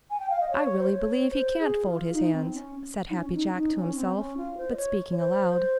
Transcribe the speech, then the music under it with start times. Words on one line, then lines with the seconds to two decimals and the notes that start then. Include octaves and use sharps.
"I really believe he can't fold his hands," said Happy Jack to himself, but speaking aloud.
0.10 G#5
0.19 G5
0.30 F5
0.40 D#5
0.50 C#5
0.79 C5
0.91 C#5
1.31 C5
1.59 G#4
1.86 F4
2.13 D#4
2.32 C4
2.54 C#4
3.10 D#4
3.15 C#4
3.29 C#4
3.34 D#4
3.47 C#4
3.55 D#4
3.75 C#4
3.95 C4
4.16 C#4
4.37 F4
4.57 C5
4.72 D#5
4.76 C#5
5.12 C#5
5.18 C5